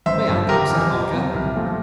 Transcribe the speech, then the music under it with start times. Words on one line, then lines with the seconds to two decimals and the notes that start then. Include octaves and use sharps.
"May I come?" said Harker.
0.06 A1 C5 E5
0.28 G2 F3
0.48 G1 G4 A#4
0.70 F2 E3
0.92 F2
1.13 C3 F3
1.34 C2
1.56 A#2 F3 A3